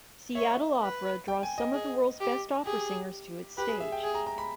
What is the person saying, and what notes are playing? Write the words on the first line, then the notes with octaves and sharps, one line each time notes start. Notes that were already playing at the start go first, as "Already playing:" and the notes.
Seattle Opera draws some of the world's best opera singers to its stage.
C#5 E5
B4
G5
G#5
D#5
G#4
G4
G4 G#4
G4 B4
G#4
E5
G5
G#4 G#5
A#5
A#5
B5